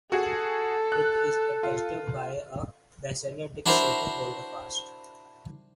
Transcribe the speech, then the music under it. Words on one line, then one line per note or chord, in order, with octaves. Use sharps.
It is attached by a basal disc-shaped holdfast.
F#4 G#4 A4
F#6
F4
D4 E4 F#4 A#4 C5